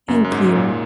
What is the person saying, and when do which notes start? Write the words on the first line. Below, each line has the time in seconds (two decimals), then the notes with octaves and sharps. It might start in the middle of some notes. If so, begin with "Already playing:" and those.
thank you.
0.08 F#1 F#2
0.24 F#2
0.32 G#2
0.40 D#3
0.55 A#2